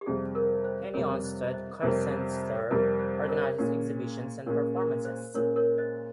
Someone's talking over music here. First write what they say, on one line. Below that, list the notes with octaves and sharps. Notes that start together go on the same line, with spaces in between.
Henie Onstad Kunstsenter organizes exhibitions and performances.
G4
F2 C3 G3 G#4
A#4
C5
F2 C3 G3 A#4 C#5
C5 D#5
C5 D#5
F2 C3 G3 A#4 C#5
F2 C3 G3 A#4
C5
C5
A#4 C#5
A#2 G#3 C#4 A#4 C#5
A#2 G#3 C#4 A#4 C#5
A#4
C5
A#2 G#3 C#4 A#4 C#5
A#4 C#5
C5 D#5